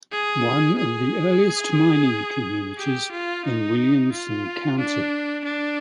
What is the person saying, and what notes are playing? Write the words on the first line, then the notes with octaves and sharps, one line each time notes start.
One of the earliest mining communities in Williamson County.
G#4
G#4
G4
F4
D#4
F4
D4
D4